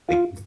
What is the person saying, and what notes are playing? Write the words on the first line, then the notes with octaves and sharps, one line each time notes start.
Like v
F4